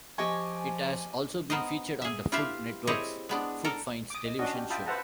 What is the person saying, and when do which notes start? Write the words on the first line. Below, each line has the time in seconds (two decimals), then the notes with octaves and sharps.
It has also been featured on the Food Network's "Food Finds" television show.
0.18 F3 G4 D#5 G#5 C#6
1.50 B3 A#4 C5 D#5
2.02 G#4 E5
2.32 E4 F4 G4 B4 E5 F5
2.87 C4 E4 G4 G#4 C#5 D#5
3.29 G#3 B3 D4
3.65 A4 A#4
4.10 D6 D#6
4.25 D#5
4.39 C#4 D4 F#4 D#5
4.55 G4
4.70 F4 E5 G5 A5 B5 D#6
4.86 B4 C5 E5 F#5 A5 A#5